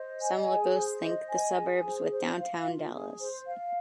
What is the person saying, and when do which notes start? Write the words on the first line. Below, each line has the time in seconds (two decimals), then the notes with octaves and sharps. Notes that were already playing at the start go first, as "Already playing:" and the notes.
Some locals link the suburbs with downtown Dallas.
Already playing: C5 D#5
0.22 G#5
0.48 G#4
0.76 C5
1.03 D#5
1.30 G#5
1.57 G#4
1.85 C5
2.11 C5
2.38 F5
2.65 F4
2.93 G#4
3.20 C5
3.47 F5